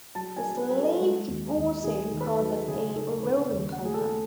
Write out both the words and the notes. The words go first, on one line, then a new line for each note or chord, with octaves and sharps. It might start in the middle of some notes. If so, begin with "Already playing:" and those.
The sleeve could also pass as a rolling paper.
F#3 A5
G#5
F#3
B4
F#3 B4
A4
G#3
D#2
D#2
D#3 G#4
D#3
B4
A4
F#3
C#3 G#4
D#4 A4
C#3 B4
D#2
F#5
A3
G#4
A4
A3